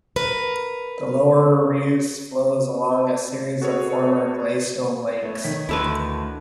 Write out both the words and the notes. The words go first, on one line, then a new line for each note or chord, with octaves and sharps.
The lower Reuss flows along a series of former glacial lakes.
A#4 B4
F#4 G#4 A4 B4 C#5
A3 B3 C#5
D#3 C#5 B6
D2 E4 A4 B4